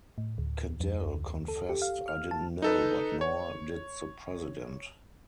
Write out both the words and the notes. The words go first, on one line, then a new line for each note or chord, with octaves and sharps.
Cadell confessed 'I didn't know but nor did the president.
A2
D2
F2
D2
A4
G4
F5
F6
A5
D#4 A4 B4
C#5